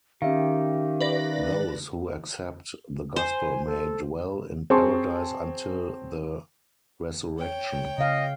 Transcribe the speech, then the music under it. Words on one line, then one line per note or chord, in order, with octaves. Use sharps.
Those who accept the gospel may dwell in paradise until the resurrection.
D#3 C#4 G4 E5 F5
B4 D5 A#6
C5 G#5
A4
F#3 C4 G#4 A5 C6 C#6
C#5 G5
C#3 D#5 F5